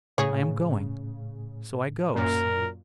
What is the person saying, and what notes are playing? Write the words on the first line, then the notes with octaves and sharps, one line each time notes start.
I am going.' So I goes.
A2 C#3 G#4 C#5
F#2 A#2 A#4